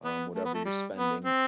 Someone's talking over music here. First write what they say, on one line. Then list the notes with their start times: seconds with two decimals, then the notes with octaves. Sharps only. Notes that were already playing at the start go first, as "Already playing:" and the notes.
um, whatever you're spending,
0.04 B3
0.34 A3
0.45 B3
0.54 A3
0.65 G3
0.94 B3
1.25 C4